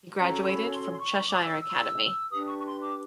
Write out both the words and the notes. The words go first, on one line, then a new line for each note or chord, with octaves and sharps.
He graduated from Cheshire Academy.
C#4 F#4 A4 C#5 A#5
C6
B5
C6
C6
C#6
C#6
D6
E6
E6
E6
E6
D4 G4 B4 D#6
C#6
C#6
C6
D6